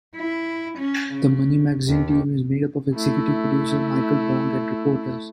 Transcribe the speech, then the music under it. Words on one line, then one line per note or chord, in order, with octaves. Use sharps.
The "Money Magazine" team is made up of executive producer Michael Wong and reporters.
E4
C#4
C#3
D#2
A3 E4